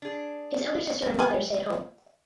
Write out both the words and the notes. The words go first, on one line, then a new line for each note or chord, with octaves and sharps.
His elder sister and mother stay at home.
D4 G#4
G4 B4 G#5